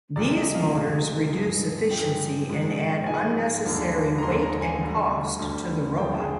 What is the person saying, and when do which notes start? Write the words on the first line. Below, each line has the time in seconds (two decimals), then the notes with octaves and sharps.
These motors reduce efficiency and add unnecessary weight and cost to the robot.
0.16 D2 C3 F3 G#3 D5
0.36 D#5
0.55 F5
0.74 D2 C3 F3 G#3
1.32 G2 F3 G#3
1.91 G2 F3 G#3 G5
2.49 G#2 F3 G#3
3.06 G#2 F3 G#3 G#5
3.64 D#2 D3 F3 G#3
4.18 A#5
4.23 D#2 D3 F3 G#3 C6
4.43 A#5
4.61 G#5
4.81 D2 D3 G3
5.39 D2 D3 G3
5.97 D#2 D3 F3 G#3 G5
6.20 G#4